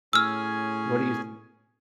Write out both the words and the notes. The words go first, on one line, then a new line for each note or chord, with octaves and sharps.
what are you th
A2 C#4 G#4 G#5 E6 F6